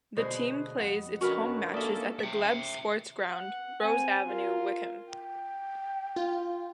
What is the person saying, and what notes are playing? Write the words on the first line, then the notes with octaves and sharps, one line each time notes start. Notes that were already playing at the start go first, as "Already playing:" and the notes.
The team plays its home matches at the Glebe Sports Ground, Rose Avenue, Whickham.
D2 B2 G#3 B4 C5 D#5
F2 F3 F#5
D3 D#3 C#4 F#4 A#4 B4
A#3 G#4 A4 D5 E5
E5 G5
F#5
C4 G#5
F4 A#4
G5
F4